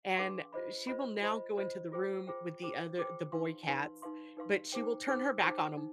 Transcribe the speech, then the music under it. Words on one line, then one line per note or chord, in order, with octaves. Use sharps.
and she will now go into the room with the other the boy cats, but she will turn her back on 'em
D4 G#4 B4 F5 C6
F4 C5 D#5 B5
F4 C5 D#5 B5
F4 C5 D#5 B5
F4 C5 D#5 B5
F4 G#4 C5 G5
F4 G#4 C5 G5
F4 G#4 C5 G5
F4 G#4 C5 G5
D#4 B4 F5 C6
D#4 B4 F5 C6
D#4 B4 F5 C6
D#4 B4 F5 C6
D#4 G#4 C5 G5
D#4 G#4 C5 G5
D#4 G#4 C5 G5
D#4